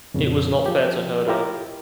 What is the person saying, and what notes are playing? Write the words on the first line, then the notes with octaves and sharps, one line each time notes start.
It was not fair to hurt her.
F2 A#2 C#3
F3 G4
E4 F4 G4 A#4 D#5